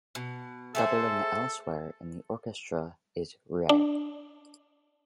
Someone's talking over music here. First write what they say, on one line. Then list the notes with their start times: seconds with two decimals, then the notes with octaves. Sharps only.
Doubling elsewhere in the orchestra is rare.
0.15 B2
0.75 A3 G#4 A4 C5
3.69 D4